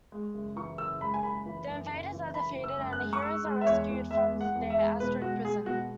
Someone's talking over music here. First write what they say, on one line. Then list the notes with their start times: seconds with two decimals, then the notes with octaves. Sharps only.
The invaders are defeated and the heroes are rescued from their asteroid prison.
0.12 G#3
0.34 F#1
0.56 E3 C#6
0.78 F#1 E6
1.01 G#3 B5
1.14 G#5
1.23 F#1 B5
1.46 E3
1.67 F#2
1.90 F#1
2.12 E3
2.34 F#1 B5
2.56 F#1
2.64 E6
2.78 F#2
2.93 F#6
3.00 G#3
3.13 C#6
3.22 G#3 E6
3.45 G#3
3.61 E5
3.67 E2 C#5
3.90 E2
4.11 G#3 E5
4.34 G#3
4.41 F#5
4.55 E2
4.70 E5
4.78 G#3
5.00 B2 B4
5.21 G#3 F#4
5.44 G#3 G#4
5.66 B2 F#4